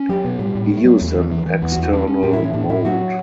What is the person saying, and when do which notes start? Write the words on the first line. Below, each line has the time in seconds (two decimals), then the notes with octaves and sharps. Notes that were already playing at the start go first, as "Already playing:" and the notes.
He used an external mould.
Already playing: C#4
0.09 F#3 G4
0.24 B2 B3
0.39 A2 G3
0.55 A2
0.71 A3
0.85 F#3
1.01 E2 A3
1.15 E3
1.32 E3
1.46 E3
1.62 E2 B3
1.72 F#4
1.77 E2
1.83 F#4
1.92 C#4 A4
2.07 C#4
2.23 A2 G4
2.33 E3 E4
2.43 C#4
2.53 A2 D4
2.69 A2 E4
2.85 F#3 F#4